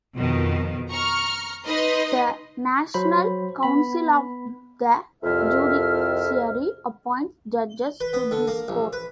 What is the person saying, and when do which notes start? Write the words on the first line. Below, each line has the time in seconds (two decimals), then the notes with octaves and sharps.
The National Council of the Judiciary appoints judges to this court.
0.16 F2 B2 D#3 F3
0.89 A#5 C#6 F6
1.65 D#4 B4 D#5 C6
2.94 F#3 C5 B5
3.63 B3 B5
5.24 C2 F2 E5 F6
8.01 B4
8.13 B3
8.31 D3
8.48 A#3
8.68 A#1
8.93 B4